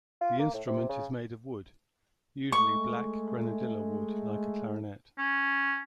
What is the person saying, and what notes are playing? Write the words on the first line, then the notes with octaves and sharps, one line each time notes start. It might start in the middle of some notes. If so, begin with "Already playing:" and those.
The instrument is made of wood, usually black grenadilla wood like a clarinet.
F4
A#3
A2
C3
C#3
G#3 A3 C#6
C#4